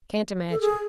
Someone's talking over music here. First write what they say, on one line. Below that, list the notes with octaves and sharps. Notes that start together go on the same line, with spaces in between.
"Can't imagine."
A4
G#4